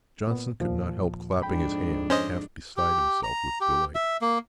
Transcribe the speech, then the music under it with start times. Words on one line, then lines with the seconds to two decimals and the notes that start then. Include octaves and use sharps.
Johnson could not help clapping his hands, half beside himself with delight.
0.27 A#2 B3
0.60 D#2 A#2 F3
1.43 F2 G#2 D4 G5 B5
2.10 C#4 C5 D#5
2.77 G4
3.23 A#5
3.61 G4
3.95 E5
4.21 A#3